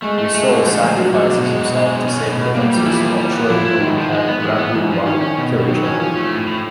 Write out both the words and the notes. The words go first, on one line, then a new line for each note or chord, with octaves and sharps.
Yeo-sol sacrifices himself to save the princess while Choi-Jung and Rambulwha kill each other.
G#3 A3
A3
G#3 A3
D3
F3 A3
F3
D3 F#3
D3
B2
G#3
B2
G#3
B2
C#4
B2
B2
B3
G3 A#3
G3
F3
E3 E4
G3
G3
B3
F3 E4
E4
G#2 D#3
F3
G#3
B3
E3 G#3
B3
G#2 E3
F3
D#3 C#4
C#4
B2
B2
D#3 F#3
C#4
E3
F3 C#4
A3
A2
A2